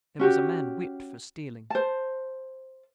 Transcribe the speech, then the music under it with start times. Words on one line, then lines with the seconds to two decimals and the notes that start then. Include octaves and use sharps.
Their was a man Whiped for Stealing.
0.19 C#4 F#4 G4
1.70 C5 A5